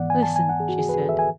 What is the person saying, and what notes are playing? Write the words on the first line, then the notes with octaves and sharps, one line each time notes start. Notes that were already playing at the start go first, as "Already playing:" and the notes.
"Listen," she said.
Already playing: G#2 E3 B3 D5 F#5
G#5
A5
G#5
F#5
G#4
F#4
G#4
B4
G#4
A4
E5
G#5